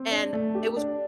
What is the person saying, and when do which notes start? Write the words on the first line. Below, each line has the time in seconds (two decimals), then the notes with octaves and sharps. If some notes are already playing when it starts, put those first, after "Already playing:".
and it was
Already playing: C4
0.11 D4
0.33 A3
0.55 G4
0.77 D4